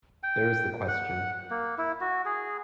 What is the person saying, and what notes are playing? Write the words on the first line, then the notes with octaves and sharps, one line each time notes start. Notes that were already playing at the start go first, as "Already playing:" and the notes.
There is the question.
G5
F#5
A#3
E4
F#4
G#4